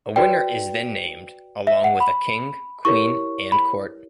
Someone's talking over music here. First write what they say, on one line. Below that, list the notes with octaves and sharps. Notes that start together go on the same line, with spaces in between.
A winner is then named, along with a king, queen, and court.
F#4 B4 D5 G5
E5
F#5
B5
E4 G4 A#4 C#5 C#6
B5